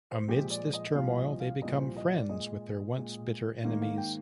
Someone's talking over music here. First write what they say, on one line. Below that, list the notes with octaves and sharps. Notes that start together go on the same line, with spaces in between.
Amidst this turmoil, they become friends with their once-bitter enemies.
C5
A#2 F3 G#3 G4
D5
D#5
C2 A#2 F3 F5
D#5
F5
C2 A#2 F3 D#5
C5
D#5
D5
A#2 G#3 D#5
A#2 G#3
G#2 D#3 A#3 F5
F5
G5